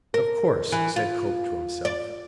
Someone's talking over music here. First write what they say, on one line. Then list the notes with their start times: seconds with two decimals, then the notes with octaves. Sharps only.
"Of course," said Cope to himself.
0.14 A#4
0.72 E3
0.96 F4
1.85 D5